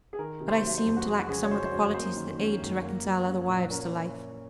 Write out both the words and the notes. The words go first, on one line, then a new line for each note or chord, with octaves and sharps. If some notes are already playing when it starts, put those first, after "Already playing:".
But I seemed to lack some of the qualities that aid to reconcile other wives to life.
G#4
D#3 A#4
C3
C5
F#3
C5
F2
F#4
F#3 G#4
F#4
C#3 G#4
C#5
C#4 C5
C5
F#2 C#5
A#3 C5
D#3
C#4
F#2
A#3
F#3
C#4
A#2
C#4 A#4